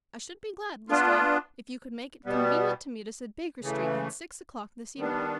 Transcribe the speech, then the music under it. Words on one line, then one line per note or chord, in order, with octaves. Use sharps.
I should be glad, Lestrade, if you could make it convenient to meet us at Baker Street at six o'clock this evening.
B3 D4 F4
B2 G3 B3
C#3 E3 A3
D#3 G3 B3 D4